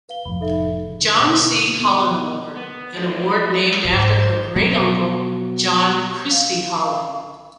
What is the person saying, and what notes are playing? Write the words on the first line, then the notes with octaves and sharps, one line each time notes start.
John C. Holland Award, an award named after her great uncle John Christie Holland.
B4 F5 G7
F1 A2 F3 B5
D#4 A4 E5
C#3
D3
B2
B4
A#4
B3
D#5
F#4
D#5
B3
F3 A3 D4
G#2 D3
C5
B2 F#3
F5